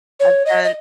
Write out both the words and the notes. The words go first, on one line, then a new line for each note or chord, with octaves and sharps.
I've done
C#5
D#5
D#5